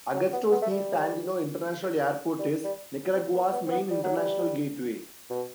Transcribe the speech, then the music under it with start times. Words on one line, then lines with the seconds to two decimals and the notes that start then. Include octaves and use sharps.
Augusto C. Sandino International Airport is Nicaragua's main international gateway.
0.14 F#3
0.33 B3
0.51 B3
0.62 A3
0.70 G3
2.39 G3
2.64 G3
3.14 C4
3.34 B3
3.53 B3
3.66 C4
3.71 B3
3.90 G3
4.03 F#3
4.17 G3
5.30 B2